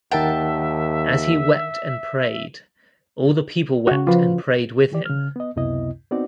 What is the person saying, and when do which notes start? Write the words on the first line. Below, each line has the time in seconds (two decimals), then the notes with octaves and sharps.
As he wept and prayed, all the people wept and prayed with him.
0.11 D#2 D#3 A#4 E5 F#5 G5 A5
3.87 C#3 F#4
4.07 F3 F4 B4
4.92 D#3 E3 G4 D5
5.05 C#3 F6
5.36 B3 D#5
5.56 C#2 F#2 C3 B3 E4 D#5
6.11 B3 C4 D#4 F#4 D5